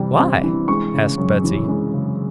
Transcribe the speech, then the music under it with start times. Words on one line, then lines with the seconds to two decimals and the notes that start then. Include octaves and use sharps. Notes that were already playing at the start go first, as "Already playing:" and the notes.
"Why?" asked Betsy.
Already playing: C3 E3 G3
0.19 C4
0.43 E3
0.68 G#3 C#6
0.94 C#3
1.18 F#2
1.44 E3
1.68 G#3
1.94 C#3